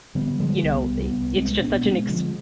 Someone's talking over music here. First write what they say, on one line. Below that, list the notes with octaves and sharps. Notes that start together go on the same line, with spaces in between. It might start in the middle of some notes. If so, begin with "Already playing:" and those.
You know, i it's just such an ex
D3 G3 B3
D3 F3 G#3
C2 G3 B3
C2
G3 B3
C2
C2 G#3 C4
B2 B3 D4
B2 G#3 C4
D3 F3 G#3